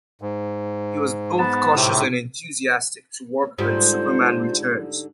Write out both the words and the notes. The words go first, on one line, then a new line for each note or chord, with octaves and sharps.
He was both cautious and enthusiastic to work on "Superman Returns".
G#2
B3 A5
A2 C3
G#2 D3 G3 F4 C5